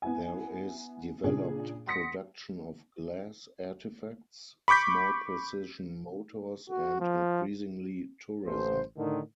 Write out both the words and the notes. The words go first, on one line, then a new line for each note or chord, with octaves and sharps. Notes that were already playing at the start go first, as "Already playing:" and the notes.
There is developed production of glass artifacts, small precision motors and, increasingly, tourism.
B3 E4 G#5
A#2 C#3 D4 G#4
F#5 C6 D#6 A#6 B6 C#7
B5 C#6 D6 G6 B6
F#4
F3
A1 C5
A2 D3 D#3